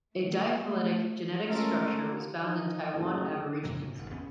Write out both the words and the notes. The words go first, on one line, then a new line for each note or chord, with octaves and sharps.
A diphyletic genetic structure was found in Taiwan Aborigines.
A3
G#3 A3 C#4 F4 A4 A#4
F3 D#4
F#1 A2 C#3 D#4 A4
F2 C3 F#3 A#3
G#2 C3 F#3
G#1 G#2 B2
D#2 B3 C#4